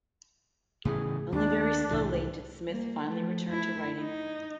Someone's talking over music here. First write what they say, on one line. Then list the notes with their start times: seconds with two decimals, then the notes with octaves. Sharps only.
Only very slowly did Smith finally return to writing.
0.85 A2 C#3 E3 G#4
1.32 D#2 D4
1.90 C2 A2 E3
2.66 G3 A#3
3.08 F3 A3
3.48 A3 E4
4.01 D#4